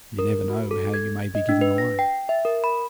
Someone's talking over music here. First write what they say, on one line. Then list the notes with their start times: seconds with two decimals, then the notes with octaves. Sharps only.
You never know how you may be given away.
0.19 A#4
0.50 F#4
0.71 A4
0.94 G#6
1.35 D#5
1.49 D4
1.61 B4
1.78 A#6
1.99 G5
2.29 E5
2.45 A#4
2.64 B5